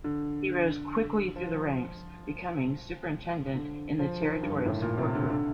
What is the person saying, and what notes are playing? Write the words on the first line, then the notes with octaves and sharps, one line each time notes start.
He rose quickly through the ranks, becoming Superintendent in the Territorial Support Group.
D3
F3
D3
F3
D#3
G2
A2
A#2
C3
D3
D3